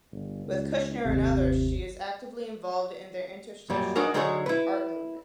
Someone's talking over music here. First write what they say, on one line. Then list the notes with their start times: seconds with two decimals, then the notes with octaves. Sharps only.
With Kushner and others, she is actively involved in the Interstitial art movement.
0.12 G1
0.47 C#2
1.05 G1 D#2 C3
3.70 F#2 A#2 G3
3.96 G#3 D4 D#4 F#4 A#4 A#5
4.14 D3 F#3 G#3 D#4 G#4 C#5
4.46 E4 B4